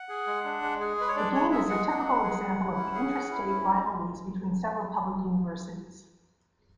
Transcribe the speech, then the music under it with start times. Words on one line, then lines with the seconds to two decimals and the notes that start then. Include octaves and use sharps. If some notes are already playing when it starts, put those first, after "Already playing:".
The game is a typical example of the intrastate rivalries between several public universities.
Already playing: F#5
0.09 G#4
0.27 G#3
0.44 D4
0.62 G#3
0.80 G#4
0.98 G#3 B4
1.08 C#5
1.16 D4 D5
1.35 G#3 C#5
1.52 G#4 E5
1.69 G#3 F#5
1.87 D4 F#5
2.06 G#3
2.23 G#4
2.41 G#3
2.59 E4
2.77 C#4
2.95 G#4
3.13 C#4
3.31 E4
3.48 C#4